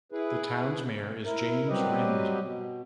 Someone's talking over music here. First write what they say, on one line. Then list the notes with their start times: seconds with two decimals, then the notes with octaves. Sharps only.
The town's mayor is James Rinde.
0.12 E4 G#4 B4
1.25 E4 A#4
1.69 F#3 G3 C4 G4 B4 D#5
2.40 B2